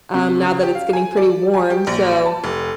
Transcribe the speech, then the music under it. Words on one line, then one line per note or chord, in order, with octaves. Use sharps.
um, now that it's getting pretty warm, so,
C3
C#3
G4
F5
G#5
D5
G#5
G4
A#1
A5
F1